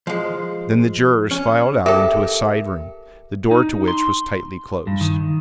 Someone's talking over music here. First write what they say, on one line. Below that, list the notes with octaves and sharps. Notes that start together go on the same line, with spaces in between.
Then the jurors filed out into a side room, the door to which was tightly closed.
F3 G#3
C#4
G4 A4 A#4 E5
D#4
C6
G2
D#3